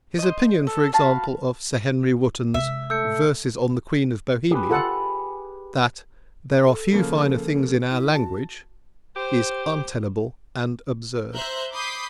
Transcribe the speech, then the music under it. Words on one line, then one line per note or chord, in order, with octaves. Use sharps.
His opinion, for example, of Sir Henry Wotton's "Verses on the Queen of Bohemia"-that "there are few finer things in our language," is untenable and absurd.
C5 D#5
A4
F#4 F5 A5 B5
C3 G#3 E5
A3 E6 G6 C#7
G4 G#4 B4
F4 A4 F#5
A4
C#3 F3 A#3
E4
F#4 A5
G4 C5
C5 E5 A#5 F#6 G6
B5 D6 D#6 G6 B6 C7